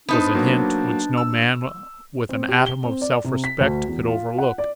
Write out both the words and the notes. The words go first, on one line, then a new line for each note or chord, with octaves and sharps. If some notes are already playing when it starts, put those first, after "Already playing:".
It was a hint which no man with an atom of self-respect could overlook.
B3 D4 D#4 C5
F#3 A#3
E6
C4
G4
G7
C4
D5
C3
B6
D2
E2
F4
F#5
D5